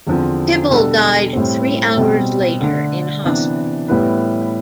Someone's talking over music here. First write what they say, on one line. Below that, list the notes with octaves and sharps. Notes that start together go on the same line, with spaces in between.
Tibble died three hours later in hospital.
E2 D3 F3 C4
B2 G3 D4 A4
A2 G3 C4
B2 G3 C4
D3 A3 D4
C3 E3 B3 D4
A2 G3 B3 E4 B4